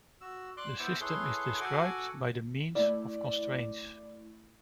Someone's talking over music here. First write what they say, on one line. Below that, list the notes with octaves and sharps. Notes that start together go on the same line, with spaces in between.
The system is described by the means of constraints.
F#4 E6
D5 C6 D6 F#6
B3 E4 C5 E5 F#5 D6
E4 G#4 A4 B4 C#5 C6
F#4 A4 F#5 G#5 D6
A3 E4 D5